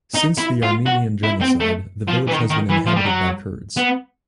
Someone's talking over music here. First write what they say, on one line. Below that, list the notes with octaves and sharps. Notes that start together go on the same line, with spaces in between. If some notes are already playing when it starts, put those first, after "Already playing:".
Since the Armenian genocide the village has been inhabited by Kurds.
D#4
E4
F4
F#4
E4
C4
A3
F3
E3
D#3
D#3
E3
F3
G3
F#3
B3